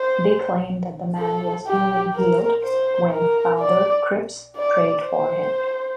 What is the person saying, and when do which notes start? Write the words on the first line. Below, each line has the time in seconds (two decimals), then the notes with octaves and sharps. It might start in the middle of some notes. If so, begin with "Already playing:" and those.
They claim that the man was only healed when Father Cripps prayed for him.
Already playing: C5
1.18 A4
1.67 G4
2.14 A#4
2.63 C5
3.11 A#4
3.59 D5
4.56 D5
5.04 C5